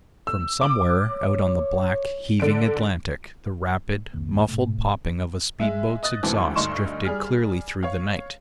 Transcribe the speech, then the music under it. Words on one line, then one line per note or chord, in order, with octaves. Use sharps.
From somewhere out on the black, heaving Atlantic, the rapid, muffled popping of a speed-boat's exhaust drifted clearly through the night.
E6
D6
C#5
D3 D7
C2 F2 D#3 A#3
G#2 B2 A3
G#3 E5
D#5 D#6 F#6 A6
D2 G#2 E3 C4 A5 D6
D2 G2 D#4 C6 C#6 E7
G3 G#4 F6
C#5 F5